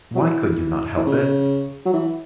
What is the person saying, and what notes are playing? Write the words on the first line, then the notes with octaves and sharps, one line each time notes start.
Why could you not help it?
F#3
E3
E3
C#3
F#3
E3